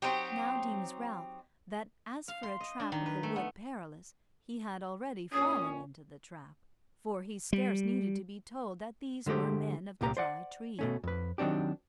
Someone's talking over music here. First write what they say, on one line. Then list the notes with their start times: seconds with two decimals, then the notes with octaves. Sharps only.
Now deems Ralph that as for a trap of the Wood Perilous, he had already fallen into the trap; for he scarce needed to be told that these were men of the Dry Tree.
0.02 F#3 C4 D#4 G4
2.28 F5
2.43 C6
2.61 D#5
2.80 D4
2.92 D#3
3.06 B4
3.23 A3
3.36 B3
5.33 F2 A#2 C#4 D#6
7.53 G3
9.26 D3 G#3 A3 G4 C5
10.01 C2 A#2 G4 A#5
10.17 C5 D5 F#5
10.79 B2 A3 C#4
11.04 F2 B4
11.38 D#3 F#3 C4 D4 G4